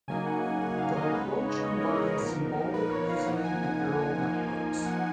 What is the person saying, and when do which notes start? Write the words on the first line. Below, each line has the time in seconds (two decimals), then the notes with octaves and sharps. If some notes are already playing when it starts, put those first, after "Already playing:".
The approach combines symbolic reasoning and neural networks.
0.08 C#3 F#3 A#3 D#4 G#5
0.26 F#5
0.44 G#5
0.61 F#5
0.79 F5
0.97 D#5
1.14 C#3 G#3 B3 D#4 B4
1.32 C#5
1.49 D#5
1.68 C#5
1.81 A#4
1.94 G#4
2.07 A#4
2.20 A#2 F3 B3 D#4
2.74 B4
2.91 C#5
3.09 F5
3.27 F3 A#3 D#4 F#5
3.44 G#5
3.62 G#5
4.33 F3 A#3 D#4
4.86 F#5